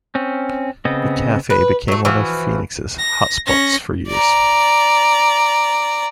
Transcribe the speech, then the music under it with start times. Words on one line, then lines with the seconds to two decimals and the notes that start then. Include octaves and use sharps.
The Cafe became one of Phoenix's hot spots for years.
0.15 C4 C#4
0.85 C#3 B3 C4 D#5
1.50 B4
1.88 F#3 A3
2.05 E3 F3 F#4
2.99 A#6
3.46 C#4 A#6
4.08 D5 A#5